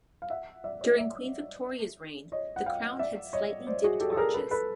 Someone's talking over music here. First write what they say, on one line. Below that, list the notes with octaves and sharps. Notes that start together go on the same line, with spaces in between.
During Queen Victoria's reign, the crown had slightly dipped arches.
F5
E5 F#5
D5 E5
C#5 D#5
D5 E5
C#5 D#5
F#5
F5 G5
D5 E5
C#5 D#5
C5 D5
F#4 G#4
G4 A4
A4
G#4 A#4
A4 B4
A4 B4